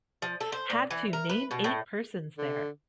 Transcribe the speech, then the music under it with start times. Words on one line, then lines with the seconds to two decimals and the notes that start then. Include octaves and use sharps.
Had to name eight persons there.
0.22 F3
0.41 A4
0.52 C5
0.70 A#2
0.91 E3
1.13 A#4
1.29 B4
1.51 B2
1.64 A2
2.38 D3